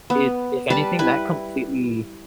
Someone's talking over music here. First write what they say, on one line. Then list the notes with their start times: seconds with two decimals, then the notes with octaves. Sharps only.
it if anything, that completely
0.10 B3
0.70 G3 B4 A5
0.99 E4 B4